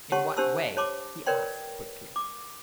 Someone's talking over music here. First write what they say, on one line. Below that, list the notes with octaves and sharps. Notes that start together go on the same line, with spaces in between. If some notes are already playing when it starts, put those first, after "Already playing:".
"In what way?" he asked quickly.
G4 C#5 F#5 A5 C6 C#6
D4 G4 C5 A5 C6 E6
C#5 A5 C6 D6
A#4 B4 C#5 D5 G5 C6
D6